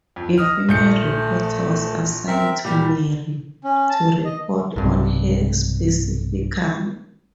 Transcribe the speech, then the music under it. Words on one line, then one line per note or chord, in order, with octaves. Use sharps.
A female reporter was assigned to Mary to report on her specifically.
F2
D#5 D#6 F6
A#1 A3 G6 C#7
C4 A#4 E5
A#2 G3 G4
C#4
A5
D#5
B1 G2 C3